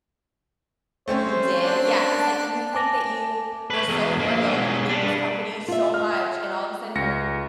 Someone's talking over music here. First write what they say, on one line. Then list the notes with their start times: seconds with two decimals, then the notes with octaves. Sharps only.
You did? Yeah, it's, like, you think that you were so loyal and you gave this company so much and all of a sudden you're
1.08 A3 C4 C#4 C5
1.60 D4
2.03 A5
2.74 G#5 A5 D6 A#6
3.70 B4 C#5
3.89 E2 G#3
4.20 F3 A#3
4.48 B1 G#3
4.89 G3 D4
5.68 F4 E5
5.94 D#5 F6
6.95 C#2 A#6 C#7